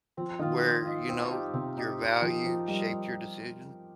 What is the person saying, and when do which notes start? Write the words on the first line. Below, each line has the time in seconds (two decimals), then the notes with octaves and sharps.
where, you know, your value shaped your decision?
0.17 F3 C4
0.39 D#3 F4 D#5
0.63 C4
0.85 F4 D#5
1.09 C4
1.32 D#4 G4
1.54 C3 C4
1.77 D#4 G4
2.00 C4
2.22 F3 D#4 A#4 D#5
2.45 F3 C4
2.68 G3 D#4 A#4 D#5